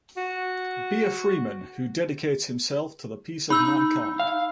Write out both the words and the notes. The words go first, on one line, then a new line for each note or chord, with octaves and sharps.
Be a freeman who dedicates himself to the peace of mankind.
F#4
D#4 B5 E6 G6
F5